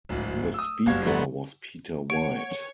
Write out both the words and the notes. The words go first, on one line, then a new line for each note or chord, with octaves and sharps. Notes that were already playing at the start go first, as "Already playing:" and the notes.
The Speaker was Peter White.
D1 G#1
D#6 E6
F#1 G2 F#4 F5 G#6
F2 G#2 G3 A3 B3
C#5 F#5 D7